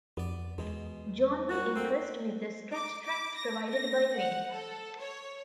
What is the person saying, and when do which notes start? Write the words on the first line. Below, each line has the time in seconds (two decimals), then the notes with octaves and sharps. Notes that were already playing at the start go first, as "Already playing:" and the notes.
John was impressed with the scratch tracks provided by Wayne.
0.17 F2 B3 D5
0.58 E2 B2 G#3
1.49 A#2 G3 C#4 F#4
1.76 A#3 C4 A4 F#5
2.73 D6
3.04 D6
3.37 A#6
3.71 A#6
4.18 F#5
4.53 A4
5.00 C#5